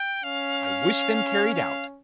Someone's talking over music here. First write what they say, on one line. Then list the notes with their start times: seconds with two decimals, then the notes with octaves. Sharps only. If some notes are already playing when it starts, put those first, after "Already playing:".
I wish them carried out.
Already playing: G5
0.23 C#4 F5
1.55 F5